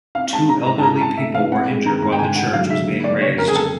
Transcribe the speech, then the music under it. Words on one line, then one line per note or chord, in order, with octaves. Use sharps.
Two elderly people were injured while the church was being razed.
C4 F5
G#3 A5
E3 A#5
G#2 A#5
A5
E4 A#5
C4 A5
A3 E5
E3 F5
C4 F#5
G#3
D#3 A#5
G#2 A#5
G5
D3 G#5
A3 F#5
F#3 F5
D3 E5
A#3
F#3 D5
C#3 C#5
F2 A#4
G#4
A4